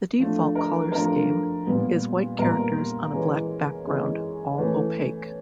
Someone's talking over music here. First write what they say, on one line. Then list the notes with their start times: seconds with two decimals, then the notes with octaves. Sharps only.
The default color scheme is white characters on a black background, all opaque.
0.19 F3 A3 D4
0.55 A#4
0.92 F3 A3 D4 A#4
1.65 A#2 G3 B3
2.39 A#2 G3 B3 A#4
3.11 E3 G#3 C#4
3.85 E3 G#3 C#4
4.58 E3 A3 C#4